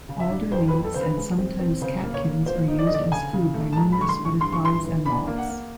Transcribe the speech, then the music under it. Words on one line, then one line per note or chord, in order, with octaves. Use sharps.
Alder leaves and sometimes catkins are used as food by numerous butterflies and moths.
C#3
E5
D4
F2 C5
B4
F2
A4
C#3 C5
B4
G#3
C4
C4
C#3 C5
A#3
C#5
A#3
F3 C5
D#4
D5
D#5
D3 D5
C#3 G#5
C#3
A3
A5
G#3 A#5
B5
D3 C#6
C6
D3
C#6
G2 C6
C#6
E3 C6
E3
D4 B5
A#3
F#5
A#3